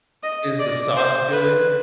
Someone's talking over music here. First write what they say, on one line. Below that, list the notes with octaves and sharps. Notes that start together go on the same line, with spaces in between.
Is the sauce good?
D#5
D5
C5
B4